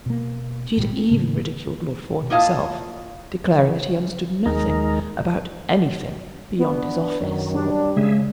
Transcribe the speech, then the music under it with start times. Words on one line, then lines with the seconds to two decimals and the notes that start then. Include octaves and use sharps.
She had even ridiculed Lord Fawn himself, declaring that he understood nothing about anything beyond his office.
0.06 B2 A#3
0.76 G#1 A#2 G3 G#3
0.93 C4
1.10 A2 C#3 A3
2.30 A#3 E4 F4 D#5 F5 A5
4.46 D#2 G#3 D#4 A#4
6.59 B3 D4
7.20 F#2 D#3 F#3
7.54 G3 D4
7.97 C#3 G#3 G#4 E5